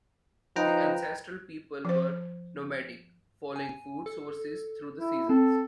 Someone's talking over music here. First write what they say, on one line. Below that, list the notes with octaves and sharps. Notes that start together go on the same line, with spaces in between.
The ancestral people were nomadic, following food sources through the seasons.
F3 D#4 B4 G5 A#5
F3 C5
G#5
A4
E4
C4 A4